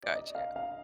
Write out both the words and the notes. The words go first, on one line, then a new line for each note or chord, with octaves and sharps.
Got you.
D5
D#5
F5
F5